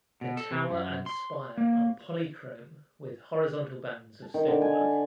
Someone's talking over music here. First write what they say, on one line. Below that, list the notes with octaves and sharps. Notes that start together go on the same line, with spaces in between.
The tower and spire are polychrome with horizontal bands of stonework.
B2
A4
C3
F#2
C6
A#3
A5
D#3
D3
G#5
D5